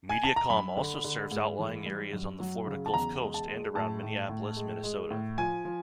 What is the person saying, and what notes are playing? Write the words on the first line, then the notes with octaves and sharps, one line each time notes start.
Mediacom also serves outlying areas on the Florida Gulf Coast and around Minneapolis, Minnesota.
G#5
A5
A#5
F#2 B5
D3
D3
G#2
E3
G3
F#2
F#3
C#3
A5
E2 A#5
G#3
A5
G#3
A2 A5
A2
A2
G#3
G#3
A2
F3 G#5
F3